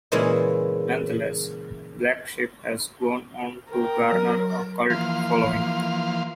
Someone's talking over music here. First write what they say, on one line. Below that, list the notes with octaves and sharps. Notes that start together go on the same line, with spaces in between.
Nonetheless, "Black Sheep" has gone on to garner a cult following.
A#2 C#3 E3 G#3 C#4 E4
A#4 G5
F#3
E3 F3 A#3 F5 C6